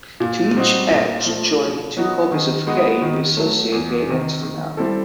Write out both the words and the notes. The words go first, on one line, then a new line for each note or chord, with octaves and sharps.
To each edge joining two copies of "K" we associate the identity map.
A#2
G3 C4 D#4 F#4
A#2
F3 A3
B2
F#3 B3 D#4 F#4
D#3
G#3 B3 D#4 F#4
D#3
F#3 A3
E2
C3 D#3
D#3
G3 C4 E4 A4